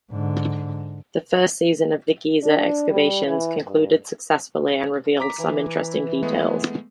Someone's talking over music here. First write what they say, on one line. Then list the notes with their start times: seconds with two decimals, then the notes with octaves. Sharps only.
The first season of the Gezer excavations concluded successfully and revealed some interesting details.
0.12 G#2 D3
2.43 D4
2.90 G3
3.26 E3
3.66 G2
5.20 A#5 D6 B6
5.39 E3
6.23 G#3 A3 B3